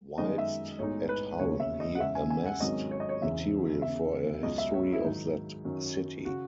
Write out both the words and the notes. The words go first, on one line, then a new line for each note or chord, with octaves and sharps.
Whilst at Hull he amassed material for a history of that city.
F#2 D#3 G#3 B3 D#4 D#5
E5
B1 A2 G#3 D#4 C#5
B4
E1 D#2 C#3 C#5
E5
D#5
F#5
E2 C#3 G#3 C#4 E5
G#5
G#5
F#5
G#1 G#2 D#3 F#3 C#4 D#5
C#5
D#5
C#5
E1 E2 C#3 E3 E5
E1 E2 C#3 E5
C#2 B2 F#3 D#5
E5
C#5
E4
G#2 D#3 F#3 D#4
F#2 D#3 F#3 C#4
C#3 F#4